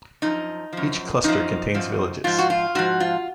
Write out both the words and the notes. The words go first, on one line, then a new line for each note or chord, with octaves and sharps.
Each cluster contain villages.
F#2 F3 D#4
F#2 F3
F#2 F3 D#4
F#2 F3
G#2 F3 F4
F#4
F4
G#2 F3 F#4
F4